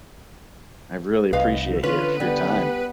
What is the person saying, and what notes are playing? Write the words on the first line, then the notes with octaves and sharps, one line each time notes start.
I really appreciate you for your time.
C2 D#4 B4 F5
D3 C#4 F4 B4
G3 B3